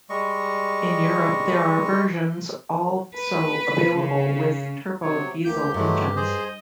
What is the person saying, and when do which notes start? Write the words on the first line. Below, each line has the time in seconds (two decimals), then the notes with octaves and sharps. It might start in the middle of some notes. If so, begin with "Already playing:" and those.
In Europe there are versions also available with turbo diesel engines.
0.10 G3 G#3 D#5 C#6
3.15 B4
3.96 C#3
5.02 C3 F#3 C#5
5.45 D2 A#3 G4 G6
5.74 G2 F#3 G#3 A3
6.16 G#4 C5 D#5